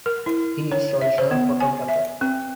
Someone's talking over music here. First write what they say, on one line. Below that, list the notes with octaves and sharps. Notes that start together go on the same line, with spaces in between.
He is also a photographer.
A#4
E4
C#5
E5
C5
B3
G#5
E5
C4